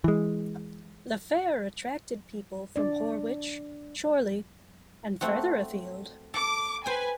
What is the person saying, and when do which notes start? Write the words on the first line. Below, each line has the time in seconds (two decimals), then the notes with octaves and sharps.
The fair attracted people from Horwich, Chorley and further afield.
0.04 E3 G#3
2.76 D4 D5
5.21 A3 C4 F#4
6.34 A4 D6
6.86 B4 C5 G5 G#5